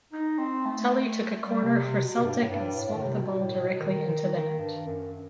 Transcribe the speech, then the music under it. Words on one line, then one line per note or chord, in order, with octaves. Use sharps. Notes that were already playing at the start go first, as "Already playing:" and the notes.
Tully took a corner for Celtic and swung the ball directly into the net.
D#4
C4
A3
G3
C3
C3
B2
G2
A2
G2
A2
D#3
C3
B2
A2
B2
D#3
D#3
D#3
G2
F#2